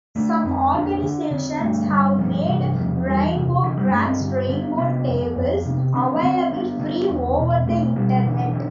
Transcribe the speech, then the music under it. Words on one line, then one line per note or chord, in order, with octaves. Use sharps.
Some organizations have made RainbowCrack's rainbow tables available free over the internet.
D3 A3
F2 C4
D3 D4
D3
D3 C4
G2 A3
D3 G3
G2 F3
C3 E3
E2 F3
E2 G3
E3
C3
D3 E3
G3
G2 A3
C4
D3
D3 B3
C3 B3
F2
F2
C3
D3 C4
B3
D3 C4
D3 B3
D3 B3
E2
B2
B2 A3
B2 G3
D3 E3
D3